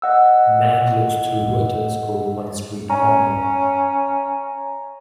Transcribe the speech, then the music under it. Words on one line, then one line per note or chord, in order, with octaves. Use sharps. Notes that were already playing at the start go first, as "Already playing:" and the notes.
A man looks through a telescope on a street corner.
D#5 F#5 E6
C#4 C#5 G#5 A#5